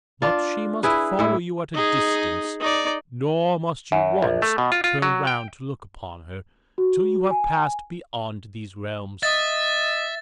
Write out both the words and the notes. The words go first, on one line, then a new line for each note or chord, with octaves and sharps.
But she must follow you at a distance, nor must you once turn round to look upon her till you have passed beyond these realms.
D4 F4
E4 G#4 B4
A2 E4
D#4 G#4
D#4 D5
F#2
A#1
A3
B2
F4
F4
F#3
G5
F#4
G#5
D#5 E5 A6